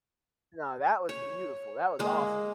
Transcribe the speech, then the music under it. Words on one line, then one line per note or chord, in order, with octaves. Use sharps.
No, that was beautiful, that was awesome.
C#5
G#3 A#3